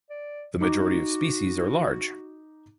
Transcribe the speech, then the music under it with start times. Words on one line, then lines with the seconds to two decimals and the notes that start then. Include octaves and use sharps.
The majority of species are large.
0.10 D5
0.61 D#4 F#4 D6